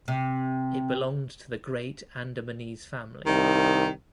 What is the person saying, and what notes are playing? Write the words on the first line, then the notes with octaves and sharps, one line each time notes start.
It belonged to the Great Andamanese family.
C3
C2 D#3